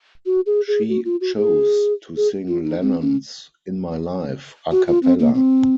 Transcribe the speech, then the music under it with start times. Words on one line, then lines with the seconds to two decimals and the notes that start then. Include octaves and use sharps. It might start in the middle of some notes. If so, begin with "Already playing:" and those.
She chose to sing Lennon's "In My Life" a cappella.
0.26 F#4
0.46 G#4
0.68 G#4
0.89 F#4
1.05 F4
1.21 F#4
1.37 G#4
2.17 G#4
2.48 F4
2.64 D#4
2.81 C4
3.01 C#4
4.71 F#4
4.87 F4
5.03 C4
5.19 A#3
5.35 C4